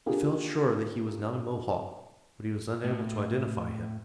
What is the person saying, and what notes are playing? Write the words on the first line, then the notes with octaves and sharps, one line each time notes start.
He felt sure that he was not a Mohawk, but he was unable to identify him.
A#3 D4 F4 G4 G#4
A2